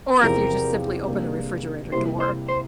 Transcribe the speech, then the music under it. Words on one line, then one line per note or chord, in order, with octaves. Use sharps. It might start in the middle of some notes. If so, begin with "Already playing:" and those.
Or, if you just simply open the refrigerator door.
E2 C3 F3 C4 G4 A#4
C3 G3 A#3 D4
C3 G3 A#3 E4 G4 C5
C5
C5